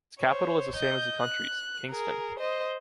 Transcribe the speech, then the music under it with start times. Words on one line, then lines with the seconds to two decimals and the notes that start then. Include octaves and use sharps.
Its capital is the same as the country’s, Kingstown.
0.20 C5 C#5
0.75 D#5 G6
1.21 F#6
1.90 G#4 A#4
2.39 C5 D#5